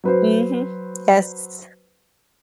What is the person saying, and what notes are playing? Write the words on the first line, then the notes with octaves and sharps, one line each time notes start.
Mhm. Yes.
F#3 B4 C5